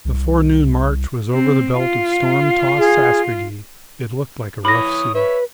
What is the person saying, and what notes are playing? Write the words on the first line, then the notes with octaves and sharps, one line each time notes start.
The forenoon march was over the belt of storm-tossed sastrugi; it looked like a rough sea.
C2
C4
F4
G#4
E3 C#5 B5 D#6 A#6
B4 C#5 E5